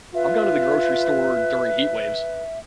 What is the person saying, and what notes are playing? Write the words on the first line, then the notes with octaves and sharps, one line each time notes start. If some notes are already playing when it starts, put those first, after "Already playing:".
I've gone to the grocery store during heat waves.
F4 B4 E5